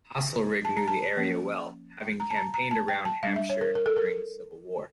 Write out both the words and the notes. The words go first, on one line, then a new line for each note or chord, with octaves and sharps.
Haselrig knew the area well having campaigned around Hampshire during the civil war.
A5
A#5
A5
F3 A#3 C#4
A#5
A5
A#5
A#5
A5
G5
A5
G3 D4 F5
E5
C#5
A#4
A#4
A4
A#4